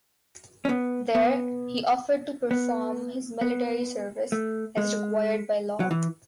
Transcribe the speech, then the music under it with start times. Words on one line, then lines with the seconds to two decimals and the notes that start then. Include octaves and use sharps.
There, he offered to perform his military service, as required by law.
0.65 C#4
0.69 B3
1.15 B3
2.51 B3
3.41 B3
4.32 A3
4.78 G#3
5.80 F#3
5.91 E3